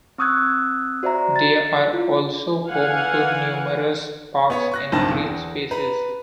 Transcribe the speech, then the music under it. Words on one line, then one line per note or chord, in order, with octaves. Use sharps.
They are also home to numerous parks and green spaces.
C4 C#6 D#6 E6 F#6 G#6
F#4 C5 D5 E5 A#5
A6
E4 F4
E3 F5 F#5 G#5
B3 C#5
C#6 F#6 A#6
F#1 B1 G2 C4 A5 A#6
E2
B4 A#5